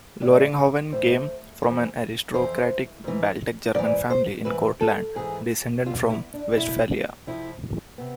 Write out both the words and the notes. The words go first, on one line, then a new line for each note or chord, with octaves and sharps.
Loringhoven came from an aristocratic Baltic German family in Courland descended from Westphalia.
A2 E3 D5
A2 E3 C5
F2 E3
F2 E3 C5
G#2 E3
G#2 E3 D5
C5
G#2 E3 B4
A4
G#2 E3 G#4
E2 B2 F4
E4
D4
E2 B2 E4
F2 C3 F3 E4
C3 B3